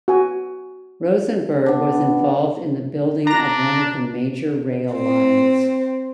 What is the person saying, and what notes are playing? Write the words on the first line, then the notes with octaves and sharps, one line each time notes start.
Rosenberg was involved in the building of one of the major rail lines.
F#4 G#5
B3 D4
D4 A#5 A#6
C4